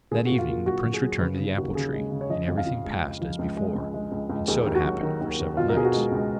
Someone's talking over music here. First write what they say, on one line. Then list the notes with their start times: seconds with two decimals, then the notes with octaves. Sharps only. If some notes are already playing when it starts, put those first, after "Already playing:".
That evening the prince returned to the apple tree, and everything passed as before, and so it happened for several nights.
0.11 A#2 G#4
0.25 F#4
0.30 A#2
0.39 F4
0.48 A#2
0.66 F#3 F#4
0.84 F#3
0.94 G#4
1.02 F#3
1.20 C#3 B4
1.39 C#3
1.57 D#2 F#4
1.75 C#3 G#4
1.93 G#3
2.11 C#3
2.21 C#5
2.29 F3 D#5
2.48 F2
2.58 F5
2.66 F3
2.84 G#3
3.03 G#3
3.21 F3
3.39 C#2
3.57 G#3
3.75 C#2
3.94 G#3
4.12 C#2
4.30 C#2
4.48 D#2 G#4
4.66 D#2
4.75 F#4
4.85 F#3
5.03 D#3
5.21 D#2
5.39 D#2
5.57 B2 F4
5.70 A#4
5.76 B2 G#4
5.84 F#4
5.94 G#3
6.12 C#2